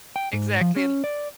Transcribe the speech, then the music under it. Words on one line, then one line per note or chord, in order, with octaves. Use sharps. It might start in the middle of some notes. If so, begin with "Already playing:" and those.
Exactly, and
G5
G#2
F3
C#4
D5